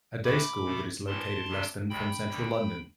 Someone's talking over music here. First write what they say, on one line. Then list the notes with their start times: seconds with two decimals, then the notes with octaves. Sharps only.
A day school that is located less than from Central London.
0.24 D2 D3 A3 B5 D6
0.65 B2 A3
1.07 A2 E3 G3 A5 C6
1.48 F2 C3 G3
1.89 D2 C3 G3 G5 B5
2.30 D2 D3 G3